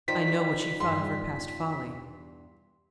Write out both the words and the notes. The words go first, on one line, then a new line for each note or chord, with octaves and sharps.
I know what she thought of her past folly.
D#3 D#4 F4 C5 D5 B6
E2 G2 G#4 C6